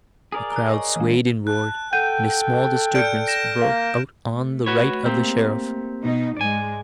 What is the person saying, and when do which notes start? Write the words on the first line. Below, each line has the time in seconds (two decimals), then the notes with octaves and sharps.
The crowd swayed and roared, and a small disturbance broke out on the right of the Sheriff.
0.32 G#4 A#4 D5
0.52 A#5 F#6
0.70 C#5 D#5 C#6
0.96 E3 G#3
1.47 A5 F#6
1.93 A4 F#5 G5 G6 D#7
2.95 D5 F6 G6 C#7 D7
3.28 A#6 E7
3.62 A#3 F5
4.28 A3
4.66 F#4 B4 C#5
5.05 A#3 C4 G4
6.03 B2 D#4
6.37 G#2 G#3 D5 G#5